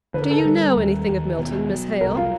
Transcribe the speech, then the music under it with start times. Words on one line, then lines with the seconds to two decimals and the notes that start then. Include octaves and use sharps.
'Do you know anything of Milton, Miss Hale?
0.14 D3 B4
0.22 A#4
0.31 A4
0.38 A#4
0.45 G3
0.77 D#2
1.08 D#2
1.38 B2
1.70 F#3
2.01 C2 A#4
2.17 F4